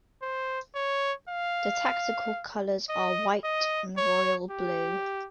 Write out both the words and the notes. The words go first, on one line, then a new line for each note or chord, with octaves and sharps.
The Tactical colours are White on Royal blue.
C5
C#5
F5
D#5
D#5
C#5
G4